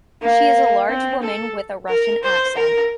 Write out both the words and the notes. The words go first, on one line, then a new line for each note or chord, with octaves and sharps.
She is a large woman with a Russian accent.
A#3
C4
A4
A#4
C5
A#4